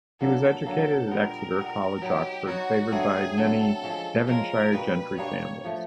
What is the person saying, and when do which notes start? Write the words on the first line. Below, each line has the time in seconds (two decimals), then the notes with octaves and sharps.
He was educated at Exeter College, Oxford, favoured by many Devonshire gentry families.
0.21 D3 F#3 A#3 A4
0.66 D3 F#3 A#3
1.11 A#2 G3 B3 A#4
1.57 A#2 G3 B3
2.02 F#3 B3 D#4 G4
2.47 F#3 B3 D#4 F#4
2.92 D3 F#3 A3 C4 G#4
3.38 D3 F#3 A3 C4 A4
3.82 F3 G#3 C#4 F4
4.27 F3 G#3 C#4 F4 A#4
4.73 B2 G3 A#3 D4 B4
5.18 B2 G3 A#3 D4 C#5
5.65 F3 A3